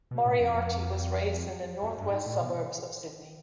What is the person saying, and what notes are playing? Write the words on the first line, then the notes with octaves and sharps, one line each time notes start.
Moriarty was raised in the north-west suburbs of Sydney.
B2
A2
F2
F2
F#2
G2
G#2
A2
B2